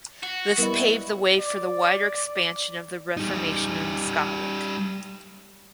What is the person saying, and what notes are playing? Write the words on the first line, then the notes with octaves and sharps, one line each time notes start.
This paved the way for the wider expansion of the Reformation in Scotland.
F#4
G3 B3 E4 A#4 D#5
D5
G3 D#4